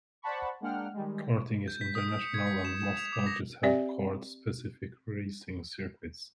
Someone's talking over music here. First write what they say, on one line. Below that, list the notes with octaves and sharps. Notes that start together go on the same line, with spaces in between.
Karting is international and most countries have kart specific racing circuits.
C5 D5 F#5 A5 B5 C#6
G#3 A#3 D4 F#5 G5 F6
D#3 G3 G#3
G6
B6
D#6
D#6
C#7
G#6
B6
E7
E7
F7
D6
A#6
C4 G4 D5 E5